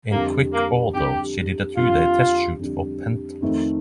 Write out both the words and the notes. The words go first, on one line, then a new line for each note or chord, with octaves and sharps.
In quick order, she did a two-day test shoot for "Penthouse".
F2 D3 G3 A#3
A#3
F2 D3 G3 G4
F2 D3 G3 F4
F2 D3 G3
F2 D#3 A3 C4 D#4